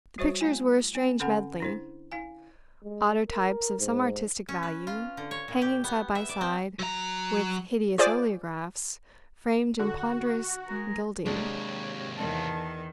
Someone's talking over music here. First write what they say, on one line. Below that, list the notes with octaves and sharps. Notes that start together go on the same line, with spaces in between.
The pictures were a strange medley--autotypes of some artistic value hanging side by side with hideous oleographs framed in ponderous gilding.
G3 F#4 C5 C#5 E5 C#6
A3 E4 G#5
C4
D3 C#4 A4 F#5 G#5 B5
D4 E4 C5
E4 F5 G#5
G#3
A#4
G#2
C#4
B4
F4
D3
C#5
A#2
G4
B3
E5
D5
C4
F#3 A#5
F4 G#4 C5 D5 G#5 D6
D3 F#4
G#3 A#4
D#2 C3 G#3 D4 G4 A#4 C#5
E2 D#3 A5